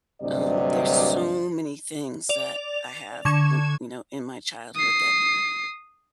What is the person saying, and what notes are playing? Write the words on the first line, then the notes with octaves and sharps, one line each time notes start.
um, there's so many things that I have r you know, in my childhood that
D2 G2 C3 F#3 D5 D#5
D5 F7
D3 C#6 G#6 E7
D#6 C7